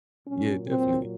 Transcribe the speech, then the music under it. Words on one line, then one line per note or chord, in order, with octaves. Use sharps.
Yeah. Definitely.
A#2 F#3 C#4
C4